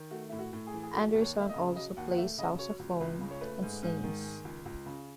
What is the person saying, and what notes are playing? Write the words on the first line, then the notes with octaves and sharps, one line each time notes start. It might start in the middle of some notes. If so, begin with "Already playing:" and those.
Anderson also plays sousaphone and sings.
Already playing: D#3
A3 F#4
A2 E4
F#4
A2
G#4
E3
G#4
F#3 A4
D#2
C#5
A3
E5
D#5
C#3
F#3 D#5
D#2 F#5
F#5
A3 E5
C#3 D#5
F#3 C#5
C#2
C#2 B4
C#3
C#5
A3 B4
G#2
G#2
D#3
G#3
C#2
C#2
C#3